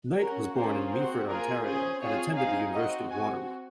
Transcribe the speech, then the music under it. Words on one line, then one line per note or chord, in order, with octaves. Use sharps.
Knight was born in Meaford, Ontario and attended the University of Waterloo.
C#4 F#4 A#4
A#3 C#4 F4 G#4 C5
C4 F#4 C5
A#3 F4 G#4 A#4
C#4 G#4 C5
C4 F4 G#4 C#5
C4 D#4 G#4 F5
C4 F#4 D#5
C4 F#4 G#5